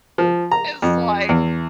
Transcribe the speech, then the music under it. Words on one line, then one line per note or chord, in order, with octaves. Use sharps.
it's like
F3
A#5
F2
E2